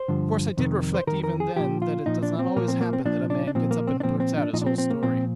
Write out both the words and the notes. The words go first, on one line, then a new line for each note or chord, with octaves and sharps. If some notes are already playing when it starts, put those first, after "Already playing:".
Of course I did reflect even then that it does not always happen that a man gets up and blurts out his whole story.
Already playing: C5
G2 D3 F3
F2 C3 D#3
C5
F2 C3 D#3 A#4
A#4
G#4
A#2 F3 G4
F4
A#2 F3 D#4
D4
C4
A#2 F3 A#3
C4
A#3
C4
A#2 F3 D4
D4
D4
A#2 F3 C4
A#3
C4
D4
A#2 F3 C4
C4
D4
A#2 F3 D#4
D4
C4
C4
A#3
A#2 F3 C4